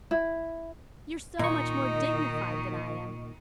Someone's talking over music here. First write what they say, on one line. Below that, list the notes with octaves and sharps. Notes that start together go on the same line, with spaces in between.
You're so much more dignified than I am.
E4
A#2 D#3 D#4 D#5 C#6